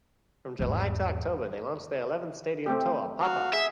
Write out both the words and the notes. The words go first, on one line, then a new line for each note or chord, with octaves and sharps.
From July to October, they launched their eleventh stadium tour, Pop Up!
G#1 E2
A3 C4 G4
F#4 F5
G#4 E5